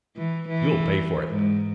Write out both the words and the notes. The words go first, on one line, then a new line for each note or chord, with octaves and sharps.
"You'll pay for it!"
E3
E3
G#2